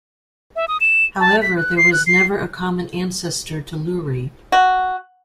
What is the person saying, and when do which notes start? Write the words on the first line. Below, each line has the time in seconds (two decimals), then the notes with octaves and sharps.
However, there was never a common ancestor to Luri.
0.56 E5
0.68 D#6
0.81 E7
1.20 A5
1.42 B6
1.57 F#6
1.77 C7
1.93 F#6
2.07 C7
4.52 F#4